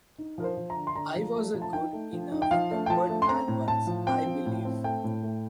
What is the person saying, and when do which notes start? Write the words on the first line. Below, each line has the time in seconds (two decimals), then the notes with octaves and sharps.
I was a good-enough-tempered man once, I believe.
0.18 D#4
0.38 F3 A#4
0.44 C5
0.57 F3
0.70 A#5
0.77 D3
0.87 C6
0.95 D3 A#5
1.16 F3
1.35 A3
1.54 F3
1.62 A5
1.73 D#4 G5
1.93 A3
2.13 F3
2.32 D#4
2.42 G5
2.51 F3 F5
2.71 A3
2.86 G5
2.90 F3 A5
3.09 A3
3.22 C6
3.29 C4 A#5
3.48 A2
3.67 A2 A5
3.87 F3
4.07 C4 G5
4.26 F3
4.46 A2
4.65 C4
4.84 A3 G5
5.04 A2
5.23 A3